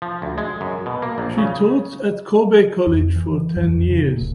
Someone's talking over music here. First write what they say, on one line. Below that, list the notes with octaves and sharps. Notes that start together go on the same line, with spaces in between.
She taught at Kobe College for ten years.
F3
D2
G#3
F#2
B2
A#3
A#1
C#3
F2
E3
F#2
F2
C#3
A#2
D#1